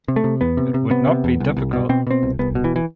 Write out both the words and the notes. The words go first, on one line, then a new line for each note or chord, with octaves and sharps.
It would not be difficult.
C3
A3
C3
E2 B3
C3
C3
C3 B3
C3
E2
C2
C2
B2
B2 C4
B2 C4
C2
C2 B3
B2
E3
E3